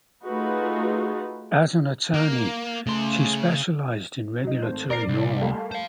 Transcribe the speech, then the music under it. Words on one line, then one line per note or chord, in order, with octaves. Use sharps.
As an attorney, she specialized in regulatory law.
A3 D#4 F4 F#4 G#4 B4
A#3
C#3 A3 C6
F#3 D#4
G#1 A3 C5
A#4 D5 C7
C2
G3 A3 A#3
C5 F5